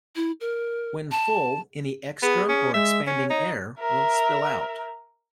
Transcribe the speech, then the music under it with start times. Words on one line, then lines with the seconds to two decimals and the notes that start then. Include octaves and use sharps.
When full any extra or expanding air will spill out.
0.16 E4
0.41 A#4
1.11 A5
2.23 B3 G#4
2.48 C#4
2.74 G#3 E5
3.07 C#4 C#5
3.30 D#4
3.80 A#4 E5